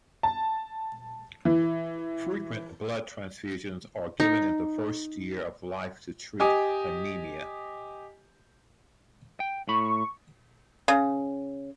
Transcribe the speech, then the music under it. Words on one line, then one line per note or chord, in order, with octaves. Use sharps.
Frequent blood transfusions are given in the first year of life to treat anemia.
A5
E3
D#4
G4 D#5 G#5 D6 D#6
G5
A2 B5 C#6
C#3